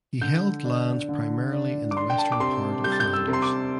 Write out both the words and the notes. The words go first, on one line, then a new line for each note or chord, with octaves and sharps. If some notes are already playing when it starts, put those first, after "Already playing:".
He held lands primarily in the western part of Flanders.
D3 G6
D4
D3
D4
D6
D4 C6
G5
A5
D6
C3 C6
G3 G6
A6
G6
E6
C3
C6
D6